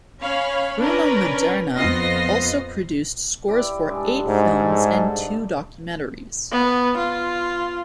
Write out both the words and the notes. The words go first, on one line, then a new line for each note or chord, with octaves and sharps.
Bruno Maderna also produced scores for eight films and two documentaries.
C#4 C#5 F5 B5
C#4 D4 A#4 B4
F2 B3 F4 D#5 A#6 C7
E4 G4 D5
G2 G#3 A5
G#2
D4 A4
B3
F4